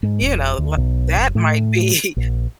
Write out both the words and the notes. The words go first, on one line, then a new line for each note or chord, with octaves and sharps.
you know, li that might be
G#2
E1
D2
B1
F#1
A2
A#1